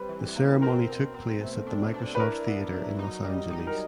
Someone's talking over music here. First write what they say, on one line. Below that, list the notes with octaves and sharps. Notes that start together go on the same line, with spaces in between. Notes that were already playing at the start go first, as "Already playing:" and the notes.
The ceremony took place at the Microsoft Theater in Los Angeles.
Already playing: G3 C4 B4
E3
A#3
C4 A#4
B2
C4
A3
D4
D4
B4
E4 A#4
B3
F#3
D#4
G3
D#4
A#4